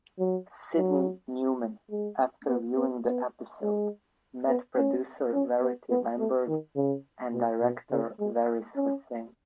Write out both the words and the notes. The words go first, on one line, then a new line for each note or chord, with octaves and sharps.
Sydney Newman, after viewing the episode, met producer Verity Lambert and director Waris Hussein.
F#3
F#3
G#3
B3
B3
B3
G#3
B3
C#4
C#4
B3
B3
A3
D#3
C#3
B2
B2
C#3
G#3
C#4